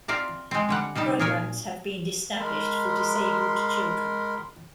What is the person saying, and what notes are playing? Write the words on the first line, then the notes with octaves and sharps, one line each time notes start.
Programs have been established for disabled children.
C4 F4 D5 E5 A#5
G#3 C4
D3 G3 F#5
C3 G3 D#4 A5
A#2 G#4 A#4 C#5 G#5
G#3 A#4 B5 C6